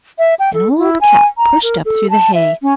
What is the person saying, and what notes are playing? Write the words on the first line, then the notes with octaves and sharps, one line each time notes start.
An old cap pushed up through the hay.
E5
G5
A4
E4
G#5
A#5
A#4
A4
A5
E5
C#4